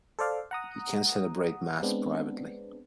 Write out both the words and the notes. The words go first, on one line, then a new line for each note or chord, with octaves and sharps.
He can celebrate Mass privately.
A4 C5 D5 F5
F#5 A#5 D#6
G#3 B3 C4 D4